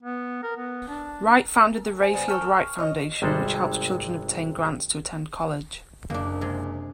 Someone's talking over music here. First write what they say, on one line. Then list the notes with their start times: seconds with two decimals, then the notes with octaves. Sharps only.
Wright founded the Rayfield Wright Foundation, which helps children obtain grants to attend college.
0.03 B3
0.43 A#4
0.57 B3
0.88 D4
2.01 C5 G#5
2.14 C#3 G3 B3
2.28 A4 G5 C#6 F6
2.78 C#5 D#5
3.22 G#1 C3 G3 G#3 A4 C5
6.10 F#1 A#3 D4
6.41 C3 G#3